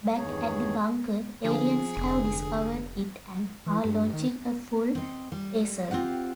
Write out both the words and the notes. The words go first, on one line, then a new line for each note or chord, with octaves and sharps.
Back at the bunker, aliens have discovered it and are launching a full assault.
E2 G2 D#3 G#4 C#5
D3 F3 G#4
F1 D3
E3
G2
D#3
C4 D#5
G3
C4 F4 G4 F#5